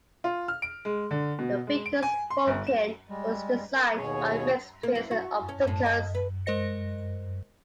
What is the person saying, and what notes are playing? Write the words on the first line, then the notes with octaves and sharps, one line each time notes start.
The Vickers Vulcan was designed by Rex Pierson of Vickers.
F4
F6
D7
G#3
D3
B2
G#3
D7
G#5
C6
G1
E7
G3 G#3
A#4
D#2 B2 G#4 C#5
A#3
E3
F#4
C#4
A2
D#5
B4
G#3 A#4 C5 D#5 A#6 C#7